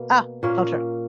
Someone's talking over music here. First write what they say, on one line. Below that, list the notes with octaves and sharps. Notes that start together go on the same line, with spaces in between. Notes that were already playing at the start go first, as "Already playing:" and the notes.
Ah! So true.
Already playing: B2 A#3 B4
A#2 A#3 C#4